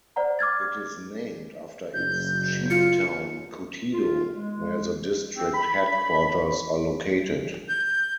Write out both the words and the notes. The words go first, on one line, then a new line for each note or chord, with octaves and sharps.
It is named after its 'chief town', Kotido, where the district headquarters are located.
C5 D5 F#5 A#5
D6 F6 G#6 A6
F#1 G6
F4 C#7
F4
G#3
C4
B5
G6